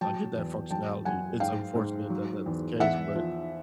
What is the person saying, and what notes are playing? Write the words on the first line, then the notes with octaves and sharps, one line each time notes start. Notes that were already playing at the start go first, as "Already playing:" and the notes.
like get that functionality. It's unfortunate that that's the case, but
F#3 G5 A5
E2
F#3 G5 A5
F#2 F#5 G#5
G#2 F5 G5
G#2
F#3
E2
E2 E5 F#5
F3